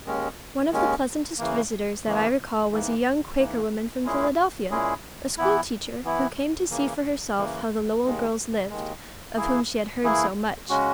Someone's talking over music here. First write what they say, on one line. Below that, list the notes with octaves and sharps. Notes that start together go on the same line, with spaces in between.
One of the pleasantest visitors that I recall was a young Quaker woman from Philadelphia, a school-teacher, who came to see for herself how the Lowell girls lived, of whom she had heard so much.
D#2 D#3 G#3 C#4
D#2 D#3 G#3 C#4
C#3 E3 A#3
C#3 E3 A#3
G#2 E3 A#3
G#2 E3 A#3
A#2 G#3 C#4 E4 G#4
A#2 G#3 C#4 E4 G#4
E3 B3 E4
E3 B3 E4
C#3 E3 A#3
C#3 E3 A#3
D#2 D#3 G#3
D#2 D#3 G#3
E3 A#3 E4 G#4
E3 A#3 E4 G#4
C#3 G#3 C#4 F#4